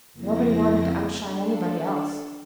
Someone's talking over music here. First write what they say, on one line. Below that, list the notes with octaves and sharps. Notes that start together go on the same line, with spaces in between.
Nobody wanted to outshine anybody else.
F2 C#3 A#3 C4 E4 A#6
D4 A4